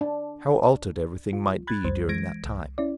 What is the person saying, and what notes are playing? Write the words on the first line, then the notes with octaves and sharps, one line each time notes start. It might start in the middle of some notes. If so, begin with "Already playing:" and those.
How altered every thing might be during that time!
D4
F4
B5 F#6 G#6 A6
C2 F2 G3 C5
E3 G#3 G#6 A#6 D7
C2
C#4 E4 D5